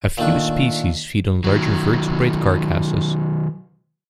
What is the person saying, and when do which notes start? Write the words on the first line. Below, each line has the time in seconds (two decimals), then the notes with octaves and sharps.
A few species feed on larger vertebrate carcasses.
0.18 A#2 D#3 A3 D4
1.44 D#3 F#3